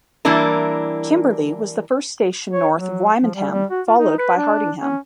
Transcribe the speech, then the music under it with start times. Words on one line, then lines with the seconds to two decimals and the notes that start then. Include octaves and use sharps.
Kimberley was the first station north of Wymondham followed by Hardingham.
0.25 E3 G3 A#3 D4 E4 A#4
2.54 C#5
2.75 F#3
3.23 F3
3.35 G3
3.52 G3
3.71 F#4
3.88 F4
3.99 D#4
4.19 B4
4.37 D4
4.81 C#4